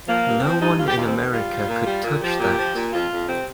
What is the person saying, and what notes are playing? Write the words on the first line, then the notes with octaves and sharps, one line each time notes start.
No one in America could touch that.
F3 A#3
G2
F3 C4
G2 D#4
D#2 F4
G4
D#2 F4
C4
D#3
G3 F4
G3
A#2
G3
A#2
F3 G4
A#2
F3
A#2
F2 F4
F2
C3 C4